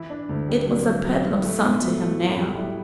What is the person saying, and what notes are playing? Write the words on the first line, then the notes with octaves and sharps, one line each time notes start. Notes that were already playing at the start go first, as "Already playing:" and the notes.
It was a peddling sum to him now.
Already playing: E3 E4
D4
D2 A3
G3
C3 F#3
F#3
C3 F#3
G3
A2 A3
B3
F#3 A3
A3
A2
G3
G3 E4